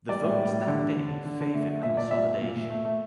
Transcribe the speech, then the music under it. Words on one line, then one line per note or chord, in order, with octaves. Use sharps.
The vote that day favored consolidation.
G3 D5
A2
G3
A2
D3
D3
D3
D3
D3
D3
A3
A3
A#2 E5
A#2 D5
A#2 E5
A3
A#2
A#2
A3
A3